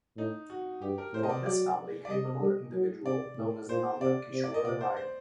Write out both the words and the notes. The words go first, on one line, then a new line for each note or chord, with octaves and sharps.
From this family came another individual known as Nanda Kishore Rai.
A2 D#4
F#4
G2 G4
A#4
A2 C5
D#5
D5
F#3 D5
D5
G3 D#5
G3
F#3
C3 D5
A2
A#2 C5
C3 D5
C3
D5
D#5
A#2 D5
C5
C5